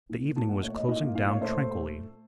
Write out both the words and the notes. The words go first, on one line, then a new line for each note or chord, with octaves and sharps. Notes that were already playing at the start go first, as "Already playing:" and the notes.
The evening was closing down tranquilly.
A#2
A#2 A5
F#5
A3 C#5
D#5
A#2 D#5
F5
A#2 F5
C#5
A3 C5